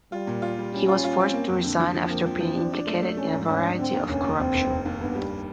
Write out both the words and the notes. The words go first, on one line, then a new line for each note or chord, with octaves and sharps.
He was forced to resign after being implicated in a variety of corruption.
G3 F4
A#2
F4
G3
G3 C#4
F4
F4
C4
A#3
F2
D3
F3
F3 C4
A#3
F3
F3
D4
D4
A3
A3
A3 C#4
G#2
G#2 C#4
D4
D3 C4
D#2
F1 C#4
D#2
F1 C4
F1
F1
D#2
G2 B3
G3